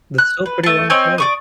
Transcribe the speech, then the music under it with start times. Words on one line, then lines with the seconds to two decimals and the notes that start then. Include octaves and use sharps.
That's still a pretty long flight.
0.18 F#6
0.46 B4
0.64 A3 A5
0.90 C4 C#5 D#5 G#5
1.18 D5 C#6 D#6